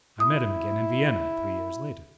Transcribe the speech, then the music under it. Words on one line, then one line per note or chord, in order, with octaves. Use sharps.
I met him again in Vienna three years later.
E4 D#6